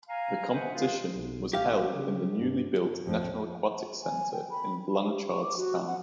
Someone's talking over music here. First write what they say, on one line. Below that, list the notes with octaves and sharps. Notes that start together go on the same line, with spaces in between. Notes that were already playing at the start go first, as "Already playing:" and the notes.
The competition was held in the newly built National Aquatic Centre in Blanchardstown.
F5 G#5 A#5
B4 C5 D#5 E5 F#5 G#5
G#3 D4 F4 G#4 A#4 F5
B1
A1 G4 F5
C#3
G2
F2
G#5
G5
B5
B5
G4
C#6
D6
F#4
F#5